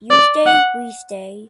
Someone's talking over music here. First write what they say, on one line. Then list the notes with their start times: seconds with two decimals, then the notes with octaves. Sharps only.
You stay, we stay.
0.10 D5
0.46 F#5